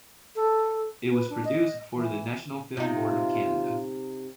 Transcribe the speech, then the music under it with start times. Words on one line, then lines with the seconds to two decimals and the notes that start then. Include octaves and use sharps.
It was produced for the National Film Board of Canada.
0.36 A4
1.11 B4
1.30 D4
1.45 D#5
1.95 E3
2.77 C3 D#4 F4